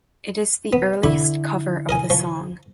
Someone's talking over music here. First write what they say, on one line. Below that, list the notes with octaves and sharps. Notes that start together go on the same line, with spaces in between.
It is the earliest cover of the song.
B3
D3 E4 B5 C#6 D6
A#4 D#5 G#5
F3 C#6